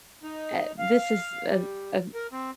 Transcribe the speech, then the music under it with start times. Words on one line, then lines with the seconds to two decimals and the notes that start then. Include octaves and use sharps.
uh, this is a a
0.23 D#4
0.79 F5
1.48 G3
2.15 A#4
2.32 C4